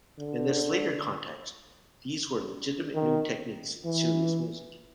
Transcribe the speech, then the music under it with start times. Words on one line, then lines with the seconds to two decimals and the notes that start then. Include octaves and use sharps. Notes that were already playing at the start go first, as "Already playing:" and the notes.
In this later context, these were legitimate new techniques in serious music.
0.19 D3
2.94 D#3
3.85 E3